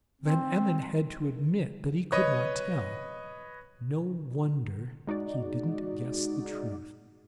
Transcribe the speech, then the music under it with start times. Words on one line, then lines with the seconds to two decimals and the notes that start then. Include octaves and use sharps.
Van Emmon had to admit that he could not tell; no wonder he didn't guess the truth.
0.21 C4
2.12 B4 C#5 D#5
5.07 G#3 D#4 F#4 D5